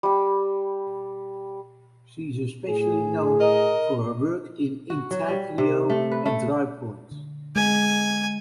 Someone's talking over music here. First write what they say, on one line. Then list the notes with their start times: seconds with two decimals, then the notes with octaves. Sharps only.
She is especially known for her work in intaglio and drypoint.
0.03 G3 G4
2.69 A2 G#4
3.40 A#4 D#5
4.90 F#4
5.11 F#3
5.29 G3
5.58 C3
5.90 A3
6.12 B4
6.26 A3
7.11 D3
7.56 G#3 G#5